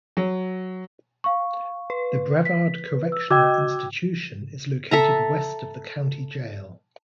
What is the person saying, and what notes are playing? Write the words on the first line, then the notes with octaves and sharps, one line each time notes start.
The Brevard Correctional Institution is located west of the county jail.
F#3
F5 C#6
B4
B6
E6
F#4 D#5 G5 D6 E6 G#6
A4 E5 A#5